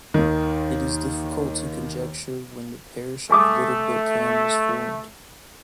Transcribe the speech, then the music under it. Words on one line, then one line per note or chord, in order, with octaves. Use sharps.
It is difficult to conjecture when the parish of Little Bookham was formed.
D#2 D#3
A3 G#5 D6 D#6